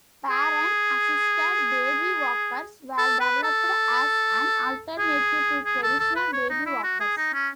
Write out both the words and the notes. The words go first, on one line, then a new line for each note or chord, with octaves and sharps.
Parent-assisted baby walkers were developed as an alternative to traditional baby walkers.
G#4
A4
B4
A4
G#4
G#4
A4
A4
B4
C#5
D#4
E4
F#4
G#4
D#4
C#4